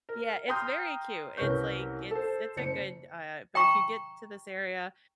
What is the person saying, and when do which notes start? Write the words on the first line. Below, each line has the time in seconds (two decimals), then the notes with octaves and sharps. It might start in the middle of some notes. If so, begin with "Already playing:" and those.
Yeah, it's very cute. It's, like it's it's a good, uh but if you get to this area,
0.09 A#4
0.48 G5 A#5 C6 D#6 F6 G6
1.37 C2 C#4 A#4 B4 C#6 G6
2.11 A4 C5
2.57 F#1 C5 C#7
3.55 G5 A#5 C#6